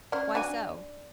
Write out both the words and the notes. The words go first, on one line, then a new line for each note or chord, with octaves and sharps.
"Why so?"
C#4 C5 D5
D4 F#4 G#5